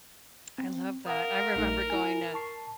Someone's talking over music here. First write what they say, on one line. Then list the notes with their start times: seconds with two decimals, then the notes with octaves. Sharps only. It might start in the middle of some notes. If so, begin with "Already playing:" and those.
I love that. I remember going to,
0.58 C4
1.07 A#4 F5 F#5 D#6
1.56 A#1 A3 D#4
1.90 E4 G#5
2.34 A5 C#6 C7